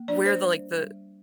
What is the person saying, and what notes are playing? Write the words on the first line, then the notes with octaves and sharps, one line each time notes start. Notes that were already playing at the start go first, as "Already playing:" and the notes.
where the, like, the
Already playing: A#3
D4 D5
C5
G3
G3